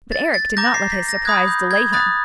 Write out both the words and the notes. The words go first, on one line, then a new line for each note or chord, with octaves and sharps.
But Eric did not let his surprise delay him.
A6
A6
A#5 D6 G6 A#6
C7
B6
A#6
B5 D#6 F#6 G#6
G6
G#6
B5 D#6 F#6 A6